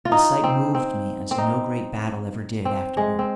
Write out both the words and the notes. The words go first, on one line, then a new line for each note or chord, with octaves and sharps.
The sight moved me as no great battle ever did afterward.
F4
D#4
C4
C4
C4
D#4
C4
G#3
C4